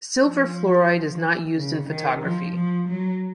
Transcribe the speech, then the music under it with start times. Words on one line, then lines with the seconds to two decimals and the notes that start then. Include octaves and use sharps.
Silver fluoride is not used in photography.
0.24 F3
1.56 C#3
1.89 D#3
2.22 F3
2.55 F3
2.88 F#3